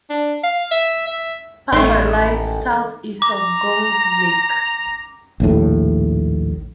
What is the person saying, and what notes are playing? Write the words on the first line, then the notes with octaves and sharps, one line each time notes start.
Palmer lies southeast of Gong Lake.
D4
F5
E5
E5
A1 D#3 A3 C6 C7
A#5 D6
A#1 D#2 A2